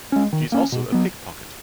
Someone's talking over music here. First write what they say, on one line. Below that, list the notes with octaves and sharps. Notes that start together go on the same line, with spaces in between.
She is also a pickpocket.
G#3 C#4
D#3
A#3 C#4
B2
F#3 B3